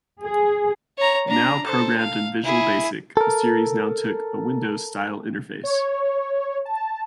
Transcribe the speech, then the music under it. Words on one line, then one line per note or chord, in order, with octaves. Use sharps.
Now programmed in Visual Basic, the series now took a Windows style interface.
G#4
C#5 A#5
D4 A#5
A4 C5
F5
E4 G#4
A4 A#4
C#5
A5